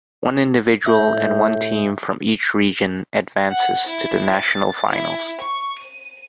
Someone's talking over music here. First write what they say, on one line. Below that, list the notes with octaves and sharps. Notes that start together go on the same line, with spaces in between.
One individual and one team from each region advances to the National Finals.
A2 E5 G6
F#5
E4
A6
E4
C#6
D#7